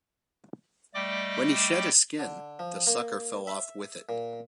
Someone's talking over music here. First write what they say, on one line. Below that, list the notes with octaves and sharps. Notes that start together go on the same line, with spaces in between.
When he shed his skin, the sucker fell off with it.
G3 A3 D5 D#5 G5 D6
D3
F3
A#3
E5
A#2